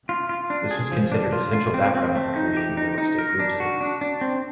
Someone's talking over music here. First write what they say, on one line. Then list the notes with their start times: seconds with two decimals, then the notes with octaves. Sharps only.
This was considered essential background for creating realistic group scenes.
0.09 F4
0.29 F4
0.50 D4
0.71 G#4
0.92 F3
1.12 D4
1.32 F4
1.53 F4
1.74 C4
1.95 C4
2.15 A3
2.36 D#4
2.57 G4
2.77 D#4
2.98 D#4
3.18 A#4
3.39 D4
3.60 F#4
3.81 D4
4.01 D4
4.21 C4